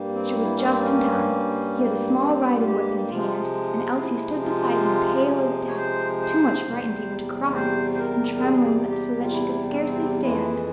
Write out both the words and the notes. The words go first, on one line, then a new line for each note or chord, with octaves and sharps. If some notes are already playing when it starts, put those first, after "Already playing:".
She was just in time; he had a small riding whip in his hand, and Elsie stood beside him pale as death, too much frightened even to cry, and trembling so that she could scarcely stand.
Already playing: G2 G3 A#3
C4
E4
C#4
C4
C#4
C4
F4
G4
C3 F3 G#3 F4
F4
E4
F4
C#5
C5
C5
E2 C3 G3
C5
C5
A#4
A#4
G#4
G4
F4
E4
C#4
C4
F2 E3 G#3 E4